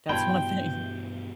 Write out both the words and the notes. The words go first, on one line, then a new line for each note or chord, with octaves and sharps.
That's one thing.
G2 B2 E3 D5 G5 A5 B5 C6